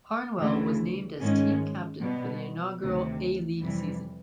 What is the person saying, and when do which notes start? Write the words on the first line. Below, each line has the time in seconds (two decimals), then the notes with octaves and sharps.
Harnwell was named as team captain for the inaugural A-League season.
0.40 D2 C#3 E3 A3
1.21 G#2 D#3 G#3 C#4
2.01 B2 G3 B3
2.81 D2 C3 D#3
3.62 F2 C3 E3 G3